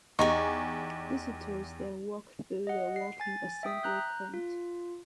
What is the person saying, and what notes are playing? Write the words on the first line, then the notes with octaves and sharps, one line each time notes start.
Visitors then walk through the working assembly plant.
E2 D#4 G4 G#5 C#6
D#5 F#5
C7
G#5 A6
E5 G5 D#6 B6
A#5 F#6 G6
F4